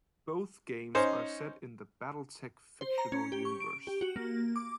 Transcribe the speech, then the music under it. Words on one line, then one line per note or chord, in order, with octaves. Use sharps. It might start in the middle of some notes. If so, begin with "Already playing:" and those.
Both games are set in the BattleTech fictional universe.
C#4 D#4 C5
C5
A#5
C#4
G4
C#6
D7
G4
F#4
A#3
D6